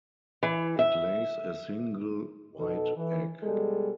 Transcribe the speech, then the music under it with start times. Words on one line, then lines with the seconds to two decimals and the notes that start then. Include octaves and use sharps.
It lays a single white egg.
0.43 E3
0.79 E5
2.59 B2 D#4 A4
2.96 E3
3.43 B2 G3 G#3 G#4 A4